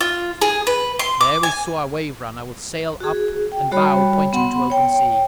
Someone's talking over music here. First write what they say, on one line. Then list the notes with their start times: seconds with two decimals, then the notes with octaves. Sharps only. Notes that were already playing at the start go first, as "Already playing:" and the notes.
There we saw our 'Waverunner' with sail up and bow pointing to open sea.
0.01 F4
0.41 G#4
0.67 B4
0.99 C6
1.21 D6
1.43 G#5
3.00 F#4 G#4
3.52 G5
3.71 G3 F#4 C#5 B5
4.33 B3 F#5 B5 C6
4.70 C#5 G5